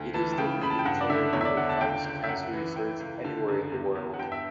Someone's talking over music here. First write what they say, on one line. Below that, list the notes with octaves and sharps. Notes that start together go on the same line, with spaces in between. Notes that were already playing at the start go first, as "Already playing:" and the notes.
It is the leading charity that funds cancer research anywhere in the world.
Already playing: D2
E3 A5
A5
C#3 G5
C#3 B5
A5
G5
G2 F#5
D5
D3 E5
E2 C#5
E5
D5
D3 F#5
A5
C#2 G5
C#2
E5
F#2 F#5
E3
E3 G5
C#2
D3 A5
F#2
E2
E2
F#5
G2 G5
E5